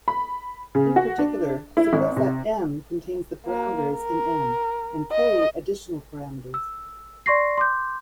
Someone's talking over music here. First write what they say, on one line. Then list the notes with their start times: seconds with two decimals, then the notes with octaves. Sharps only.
In particular, suppose that "M" contains the parameters in "M", and "k" additional parameters.
0.08 B5
0.75 C#3
0.96 F#4
1.19 D4
1.77 E4
1.93 G#1
2.17 C3
3.46 A#3
3.95 A#4
5.11 D#5
6.54 E6
7.26 D5 C6 C#6 A#6 C7
7.57 C6 D6 G6